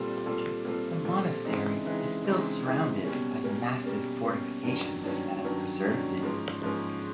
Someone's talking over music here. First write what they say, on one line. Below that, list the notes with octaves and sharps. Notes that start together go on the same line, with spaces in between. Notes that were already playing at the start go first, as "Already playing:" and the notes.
The monastery is still surrounded by the massive fortifications that have preserved it.
Already playing: A#2 G3 C4 F4 A4
A#2 G3 C4 F4 A4
A#2 G3 C4 F4 A4
A#2 G3 C4 F4 A4
C#3 E3 G#3 C4 D#4
C#3 E3 G#3 C4 D#4
C#3 E3 G#3 C4 D#4
C#3 E3 G#3 C4 D#4
B2 G3 A#3 C#4
B2 G3 A#3 C#4
B2 G3 A#3 C#4
B2 G3 A#3 C#4
G2 D#3 F#3 A#3 C#4
G2 D#3 F#3 A#3 C#4
G2 D#3 F#3 A#3 C#4
G2 D#3 F#3 A#3 C#4
G#2 F3 A#3 C#4
G#2 F3 A#3 C#4